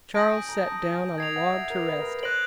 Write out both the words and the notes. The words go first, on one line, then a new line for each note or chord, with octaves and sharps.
Charles sat down on a log to rest.
A5 D#6 G6 A#6 D7
G#5
A#5
A5
G#5
G#6 C7 F7
F#5
D#5
E5
A#4
B4
A#4
B4
C5 F#6 A#6 D7 F#7